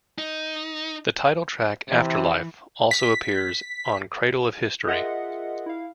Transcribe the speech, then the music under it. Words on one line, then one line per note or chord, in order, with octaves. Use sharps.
The title track, "Afterlife", also appears on "Cradle of History".
D#4
C3 E3
B6
F4 G#4 A#4 D#5 E5 F#5
E4 F5